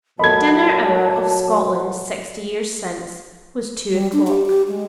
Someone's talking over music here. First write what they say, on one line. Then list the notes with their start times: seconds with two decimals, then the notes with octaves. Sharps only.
The dinner hour of Scotland Sixty Years Since was two o'clock.
0.19 A#2 F#3 A4 A#4 D#5 A5 B5 G#6
3.89 G3
4.13 D4
4.28 G4
4.46 G4
4.68 G#3